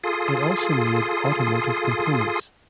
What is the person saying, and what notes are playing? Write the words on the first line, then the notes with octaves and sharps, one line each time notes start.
It also made automotive components.
F4 G#4 A4 C6 D#6